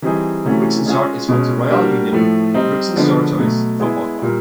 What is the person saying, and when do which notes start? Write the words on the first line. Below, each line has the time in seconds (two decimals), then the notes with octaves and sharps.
Rixensart is home to Royale Union Rixensartoise football club.
0.02 E3 G3 C4 D#4 G#4
0.45 C3 E3 A3 C#4 F#4
0.86 G#3 C#4 F4 G#4
1.29 B2 G#3 C#4
1.71 G3 A#3 D4 F#4
2.12 A2 F3 A3
2.54 G3 C4 D#4
2.96 D3 F3 G#3 B3 D4
3.39 B2 F#3 A3
3.80 G#3 B3 E4 G#4
4.22 A#2 G3 A#3